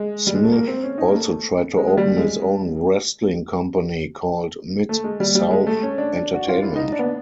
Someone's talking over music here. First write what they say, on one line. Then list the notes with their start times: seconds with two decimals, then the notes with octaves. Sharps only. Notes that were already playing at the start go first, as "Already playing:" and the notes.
Smith also tried to open his own wrestling company called Mid South Entertainment.
Already playing: G#3
0.27 G3
0.35 G#3
0.43 A3
0.52 A#3
0.68 C4
0.83 C#4
0.98 D#4
1.08 A#3
1.14 A3
1.77 G#3
1.87 G#3
1.97 G3
2.18 G#3
4.89 A3
5.04 G#3
5.20 G3
5.35 G3
5.51 G#3
5.67 A3
5.83 C#4
5.98 D4
6.34 F#4
6.48 F4
6.62 E4
6.76 D#4
6.92 D4
6.99 B3